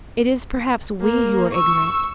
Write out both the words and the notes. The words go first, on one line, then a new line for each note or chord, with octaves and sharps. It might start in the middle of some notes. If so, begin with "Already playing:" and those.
It is perhaps we who are ignorant.
A#3
C#6 E6